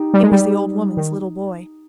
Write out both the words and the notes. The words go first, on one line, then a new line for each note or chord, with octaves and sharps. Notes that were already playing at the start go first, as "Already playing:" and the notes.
It was the old woman's little boy.
Already playing: D#4 G4
G3
G#3
G3
D#3